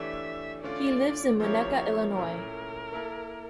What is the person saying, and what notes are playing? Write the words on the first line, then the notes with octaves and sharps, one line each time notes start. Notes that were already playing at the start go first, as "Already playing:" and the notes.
He lives in Winnetka, Illinois.
Already playing: E3 A3 D4 G4 C#5 E5
D3 A3 C#4 F4 D5
F3 A#3 C#4 E4 G4 C#5
C#5
A#2 A3 C#4 E4 A#4
A#3 E4 A4